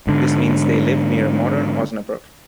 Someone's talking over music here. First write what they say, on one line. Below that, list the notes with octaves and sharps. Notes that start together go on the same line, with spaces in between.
This means they lived near modern Osnabruck.
G#2 D3